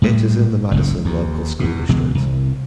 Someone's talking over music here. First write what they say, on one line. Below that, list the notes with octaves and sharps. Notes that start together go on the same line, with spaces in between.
It is in the Madison Local School District.
A2 G3 G#3
F#1 C#2 G#2
D#2
E2 B2
C#2 B2 E3 G#3
C2